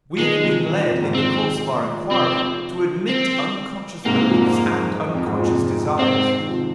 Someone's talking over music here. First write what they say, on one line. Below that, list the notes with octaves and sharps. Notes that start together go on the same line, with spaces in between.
We have been led, in the course of our inquiry, to admit unconscious beliefs and unconscious desires.
F3
A#2 D#3 G#3
C3 F3
A#2 D#3
A#2 D#3
F2 A#2
G#2 C3
A#2 D#3 C4
C3 F3 C4
C4
G#2 C3 A#3
G#2 C3
F2 A#2
G#2
F2
G#2
F2 A#2
G#2 C3
G#2 C3 C4
D#3
C3 F3